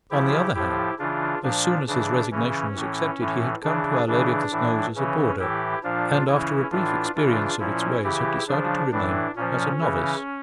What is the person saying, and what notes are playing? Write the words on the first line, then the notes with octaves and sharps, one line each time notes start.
On the other hand, as soon as his resignation was accepted, he had come to Our Lady of the Snows as a boarder, and, after a brief experience of its ways, had decided to remain as a novice.
C#3 F3 E4 G4
A2 F3 E4 G4
C#3 E3 D4 F4
A#2 F3 D4
C#3 E3 D4
C#3 E3 C#4
A2 E3
A2 E3
C#3 E3 D4
C#3 E3 D4
A2 E3
C#3 E3 C#4
A2 E3 E4 G4
A#2 F3 D4 F4
C#3 E3 C#4 E4
A2 E3 D4 F4
C#3 E3 D4 F4
A#2 F3 C#4 E4
C#3 E3 E4 G4
C#3 F3 D4
A2 E3 D4
A#2 F3 C#4
C#3 E3